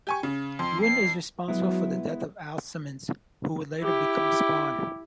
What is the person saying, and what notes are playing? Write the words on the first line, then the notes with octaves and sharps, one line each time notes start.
Wynn is responsible for the death of Al Simmons, who would later become Spawn.
G4 G#5 C#6
C#3
F2 C6
C7
F#3 G#3 B3 E4
E4 G4